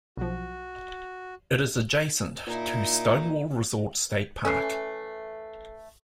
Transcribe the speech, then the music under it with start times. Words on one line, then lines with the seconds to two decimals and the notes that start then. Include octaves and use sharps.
It is adjacent to Stonewall Resort State Park.
0.17 B1 F3 F#4
2.47 A#2 D#4 E4
4.45 E3 A3 C#4 A4 F#6 C7